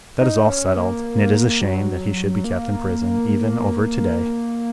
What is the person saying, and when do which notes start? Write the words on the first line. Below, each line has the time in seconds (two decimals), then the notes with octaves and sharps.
That is all settled, and it is a shame that he should be kept in prison even over to-day.
0.21 D#4
0.49 C#4
0.77 A#3
1.61 F#3
2.44 A#3